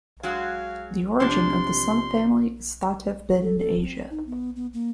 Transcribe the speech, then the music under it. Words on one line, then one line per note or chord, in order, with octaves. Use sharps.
The origin of the subfamily is thought to have been in Asia.
F#3 G#3 F#4 F5
C3 F3 D4 C6
A4
A4
C4
D#4
B3
B3
A#3